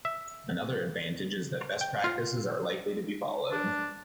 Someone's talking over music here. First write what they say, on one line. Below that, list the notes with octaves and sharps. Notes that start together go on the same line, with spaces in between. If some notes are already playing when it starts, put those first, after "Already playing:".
Another advantage is that best practices are likely to be followed.
E5
G5
F4
D4